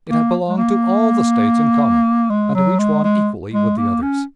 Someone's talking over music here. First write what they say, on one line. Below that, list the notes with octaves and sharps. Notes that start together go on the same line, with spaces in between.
It had belonged to all the States in common, and to each one equally with the others.
A#3
G#3
A#3
G#3
F#3
G#3
G#3
G#3
A#3
C#4